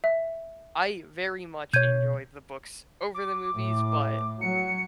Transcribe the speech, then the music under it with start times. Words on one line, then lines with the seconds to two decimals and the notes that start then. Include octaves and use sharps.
I very much enjoyed the books over the movies but
0.04 E5
1.73 B2 C#5 G6 G#6 D#7
3.14 D6
3.55 A2
4.41 F#3 C#7